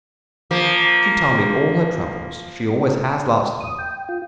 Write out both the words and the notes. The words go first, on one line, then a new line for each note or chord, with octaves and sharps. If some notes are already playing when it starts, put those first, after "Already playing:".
She told me all her troubles--she always has lots of them.
F3 A#3
D#6
G5
F4